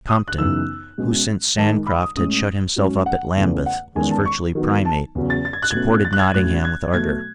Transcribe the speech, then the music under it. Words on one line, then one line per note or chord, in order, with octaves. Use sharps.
Compton, who, since Sancroft had shut himself up at Lambeth, was virtually Primate, supported Nottingham with ardour.
D#6
F#6
F#2 C#3 E3 B3 D#4 E6
B2 G#3 C#4
G#2 D#3 G#3 D#4 A5
B5
D#6
A2 G#3 C#4 D#6
G#2 F#3 C#4
F#5
E2 C#3 E3 A3
F#5
E2 D#3 G#3 C#4 G#5
A5
C#6
D#3 F#3 B3 D#4
A5
E2 C#3 F#3 C#4
A6
A6
G#6
F#6
B2 A3 C#4 G#6
A6
F#6
G#6
A2 F#3 A3 C#4 F#6
G#6
B2 F#3 A3 G#6